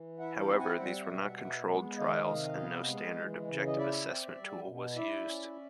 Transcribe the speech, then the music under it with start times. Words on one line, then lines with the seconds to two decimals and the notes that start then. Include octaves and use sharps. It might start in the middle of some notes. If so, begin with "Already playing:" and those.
However these were not controlled trials and no standard objective assessment tool was used.
Already playing: E3
0.19 E4 E5 F#5
0.39 F5 G5
0.49 C4
0.59 F#5 G#5
0.79 G3 E5 F#5
1.09 B2
1.39 B3
1.68 G#3
1.98 D#3 D#5 F5
2.28 C3
2.58 B3
2.87 G#3
3.17 E3
3.47 C#3
3.67 D#5
3.77 E4 D5 E5
4.07 C4
4.37 G3
4.67 B2
4.96 E4 D5 E5
5.26 C#4